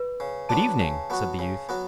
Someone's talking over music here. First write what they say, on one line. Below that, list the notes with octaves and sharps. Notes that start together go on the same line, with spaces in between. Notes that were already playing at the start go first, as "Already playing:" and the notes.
'Good evening!' said the youth.
Already playing: B4
C#3
F#3 B3 D4 A5
C#3
F#3 B3 F#4
C#3
F#3 B3 F#4